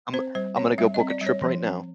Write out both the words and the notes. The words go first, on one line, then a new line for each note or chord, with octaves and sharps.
I'm I'm gonna go book a trip right now.
C4 C5
G3 C5
C4 C#5
G3 E5
D#5
C4
D5
G3
C#5
F3
C4